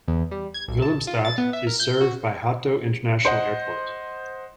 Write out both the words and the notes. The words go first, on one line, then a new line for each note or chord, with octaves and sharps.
Willemstad is served by Hato International Airport.
E2
G3
G#6
B1
A5
F4
A6
B3
E5
A#4
G6
F#4
C5 D#5 F#5